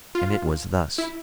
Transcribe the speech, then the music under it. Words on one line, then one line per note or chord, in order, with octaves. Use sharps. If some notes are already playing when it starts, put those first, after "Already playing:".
And it was thus.
F4
E4